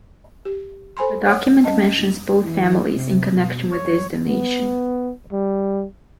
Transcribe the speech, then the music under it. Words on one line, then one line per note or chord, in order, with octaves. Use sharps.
The document mentions both families in connection with this donation.
G4
A4 C5 G#5 B5 C6
C#5 F#5
G3 C#4 D#5 A5
E3
C3
B2
C#5
B3
G3